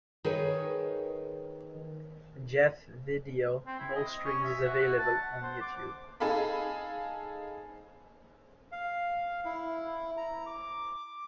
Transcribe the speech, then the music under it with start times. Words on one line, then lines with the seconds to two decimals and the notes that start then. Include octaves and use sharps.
Jeffs video "No Strings" is available on YouTube.
0.24 D#3 G#4 B4 C#5
3.66 C4
3.80 E4
3.95 D#5
4.24 C#4
4.44 E5
4.65 F#4
4.80 F#4
4.98 A5
5.22 F#5
5.43 C5
5.61 D6
6.20 D#4 G#4 A4 F5 B5
8.72 F5
9.45 E4
10.17 A#5
10.46 D6